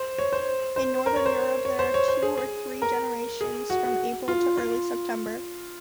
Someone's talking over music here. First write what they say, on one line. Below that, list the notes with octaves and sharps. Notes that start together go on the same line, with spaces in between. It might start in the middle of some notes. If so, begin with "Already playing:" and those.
In northern Europe there are two or three generations from April to early September.
Already playing: C5
C#5
C5
C5
A#4
C#5
C5
C#5
C5
C#5
C5
G#4
G#4
A#4
G#4
F#4
F#4
F4
F4